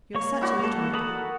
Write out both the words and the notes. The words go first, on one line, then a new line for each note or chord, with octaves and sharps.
You are such a little nipper.
A#3 C#5 C#6
E4 F#4 D5
A#3 A4
A4 A#4 B5 D#6